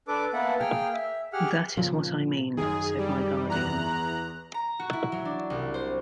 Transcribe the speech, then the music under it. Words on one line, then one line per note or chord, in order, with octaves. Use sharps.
"That is what I mean," said my guardian.
D4 A4 B4 D6
A#3 B3 E5 F#5 A5
A#3 G#4 G5 F6
E5
G4 G#4 F#5 F6
A#2 C#3 F3
F#2 D#3 G#4
G3
E2 A#5 F#6
A#5
F#4
E4
F#3
D4
C2
C5